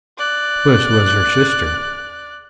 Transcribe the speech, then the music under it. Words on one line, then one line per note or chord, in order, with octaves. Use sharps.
Puss was her sister.
D5 F#6